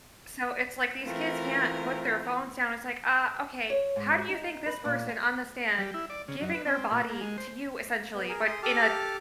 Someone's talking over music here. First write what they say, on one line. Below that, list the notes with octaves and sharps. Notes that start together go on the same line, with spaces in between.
So, it's like, these kids can't put their phones down. It's like, uh, okay how do you think this person on the stand, giving their body to you essentially, but in a
E3 A3 C4 F4 A#4
C#5
G#2
D#4
B4
A#2
G#5
G3
E4
D5
C#3
F#2
B4
C4
A#2
A#3
G#3
C5
B3
G#4 A#4
G#4 C6 D#6
G4 A4 A5 D6 F6